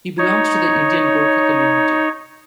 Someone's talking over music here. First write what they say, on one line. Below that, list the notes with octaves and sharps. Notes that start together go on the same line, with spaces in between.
He belongs to the Indian Gorkha community.
D#4 C#5